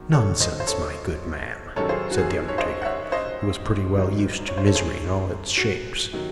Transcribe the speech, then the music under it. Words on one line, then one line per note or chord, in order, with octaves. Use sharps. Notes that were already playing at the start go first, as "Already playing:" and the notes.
'Nonsense, my good man,' said the undertaker, who was pretty well used to misery in all its shapes.
Already playing: E2 D#3 F#3
A4 C#5
C5 D#5
C5
A4 C#5
F#2 D#3 F#3 A4 C#5
G#4 C5
F#4
G#4
G#4
C#5
C5 D#5
F#5
C#5 E5
C5 D#5
C#2 C3 D#3 F#3
C#5
C5
A4 C#5
G#4 C5
F#4
C3 D#3 F#3